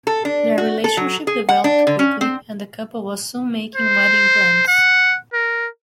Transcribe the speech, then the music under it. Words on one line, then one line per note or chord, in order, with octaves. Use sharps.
Their relationship developed quickly, and the couple was soon making wedding plans.
A4
D4
F#4
A4
F#3
G#4
F#5
D4
D3
C#4
C4
C5
F#5
A#4